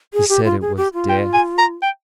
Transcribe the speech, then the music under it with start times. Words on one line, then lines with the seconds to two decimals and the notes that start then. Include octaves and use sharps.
He said it was death.
0.13 G#4
0.29 G4
0.45 F4
0.61 G#4
0.77 G4
0.94 F4
1.09 G5
1.34 G#5
1.58 A#5
1.82 G5